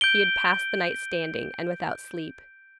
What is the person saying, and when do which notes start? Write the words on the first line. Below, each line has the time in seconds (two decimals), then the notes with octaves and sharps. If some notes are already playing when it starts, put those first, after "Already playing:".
He had passed the night standing, and without sleep.
0.01 G6 D7 G7